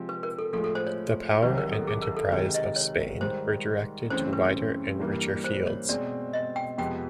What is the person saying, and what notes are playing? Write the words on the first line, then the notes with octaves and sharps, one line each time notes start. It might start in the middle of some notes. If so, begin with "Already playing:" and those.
The power and enterprise of Spain were directed to wider and richer fields.
Already playing: C3 F3 G#3 C4
B4
A#4
A4
A2 F3 G#3 A4
A4
C5
C#5
C2 C3 D#3 F#3 B4
A#4
A4
G#4
A#4
A4
C3 D#3 G#3 B4
D#5
C#5
G#2 D#3 G3 C5
F#2 C#3 E3 A3 C4 C5
B4
G2 E3 G3 A#3
C5
C#5
B2 G#3 C4 D5
D#5
G5
F2 C3 F3 G#3 B3 G5